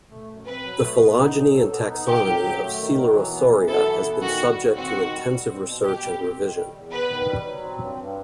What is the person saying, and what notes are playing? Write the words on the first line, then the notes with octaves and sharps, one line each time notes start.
The phylogeny and taxonomy of Coelurosauria has been subject to intensive research and revision.
A3
F#2
C4 B4
F#3
A3
B3
D#4
F#3
A4
B3
D#4
D#3 G4
F#3
F#2
A3
D#3
F#3
E3
B3
F#2
E4 A4
E3
B3
D#3 F#4
G3
D#2
C4 F#4
D#3
G3
G3
C4
B2
B2 G4
G3
C4
D#3
G3
E2
B3 B4
D#3
G3
F#3
C4
G2
G2